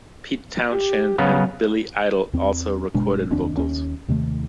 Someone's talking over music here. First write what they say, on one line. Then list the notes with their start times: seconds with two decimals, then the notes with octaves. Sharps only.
Pete Townshend and Billy Idol also recorded vocals.
0.72 G4
1.18 C#3 F#3 B3 A#5
2.33 E2 C4
2.94 G1 B2 G#3 D4
3.30 F1 D#2 C4 D4
3.57 D#2 C#4
4.08 D#2 C3 D#3 A3